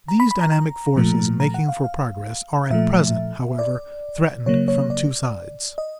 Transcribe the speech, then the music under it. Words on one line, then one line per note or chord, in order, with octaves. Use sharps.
These dynamic forces making for progress are at present, however, threatened from two sides.
A#5
B5
B5
A#5
A#5
A#2 F3 A3
A#5
F#5
F5
F5
A#2 F3 A3 E5
D5
C#3 F#3 A#3 C#5
C#5
D5
D#5